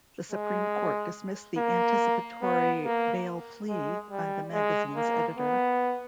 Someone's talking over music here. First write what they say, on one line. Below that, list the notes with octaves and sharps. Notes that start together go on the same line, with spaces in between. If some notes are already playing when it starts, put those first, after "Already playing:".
The Supreme Court dismissed the anticipatory bail plea by the magazine's editor.
G#3
A#3
B3
A#3
G#3
G3
G#3
A#3
B3